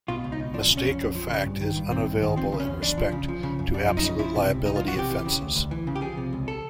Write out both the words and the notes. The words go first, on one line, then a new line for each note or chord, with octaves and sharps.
Mistake of fact is unavailable in respect to absolute liability offences.
B2 F4
C#2
D#4
B2
F3 D4
C#3
C#4
F2
F2
F3
C#3
G2
D#3
G2
D#3 C4
G2
D#3
F3 C4
C#3
C#4
E2
E2 D4
F3
C#3
F3
C#3
F#2
F#2 D4
F3
D#4
C#3
F3 E4
C3
C#2
C#2 D#4
F4
F3
F#4
C3 G4
E3
C#3
D2
D2
E3
C#3
G4
F3 G#4
C3
C#2
A4